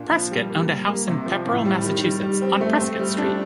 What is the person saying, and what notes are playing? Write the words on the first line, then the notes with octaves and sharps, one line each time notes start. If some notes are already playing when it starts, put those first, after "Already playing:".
Prescott owned a house in Pepperell, Massachusetts, on Prescott Street.
Already playing: A#2 D4
F3
G3
A#3
G3
A#3
C3
F3
A2
G3
D#3
G3
G3
C4
A3
C4
G3
D4